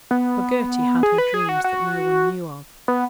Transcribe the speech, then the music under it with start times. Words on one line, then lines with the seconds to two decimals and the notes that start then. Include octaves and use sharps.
For Gerty had her dreams that no-one knew of.
0.11 B3
1.03 G#4
1.18 B4
1.34 G#4
1.49 F#4
1.64 F#4
2.88 B3